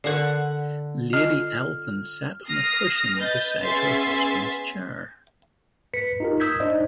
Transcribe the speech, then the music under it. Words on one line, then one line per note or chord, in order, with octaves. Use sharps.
Lady Elphin sat on a cushion beside her husband's chair.
D3 A#4 D5 F#5
F4 D#5 F6
D#6 F6 A#6 C7
B4 D#5 G6 A6
B3 C#4 G#4 E5 C6 A6
B4 B6 C#7
D#4 F4 G4 A#4
D#6 E6 G6 G#6 B6
D4 D#4 C5 D5 D#5